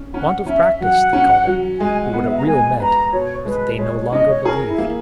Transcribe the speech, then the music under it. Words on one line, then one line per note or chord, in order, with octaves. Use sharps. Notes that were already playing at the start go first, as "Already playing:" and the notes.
Want of practice, they called it; but what it really meant was that they no longer believed.
Already playing: C#4
C#4 F#5
C#4 E5
F#3 F#5
C#4
F#3
G#3 G#5
F#5
B3
E5
A#5
G#3 G#5
B4 A#5
B2 C#5
G#3 B4
G#3 C#5
C#5
C#4 D#5
C#5
G#4 A#4
E4
A#3